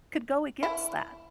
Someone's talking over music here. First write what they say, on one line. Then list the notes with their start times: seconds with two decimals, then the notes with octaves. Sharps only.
could go against that?
0.63 E4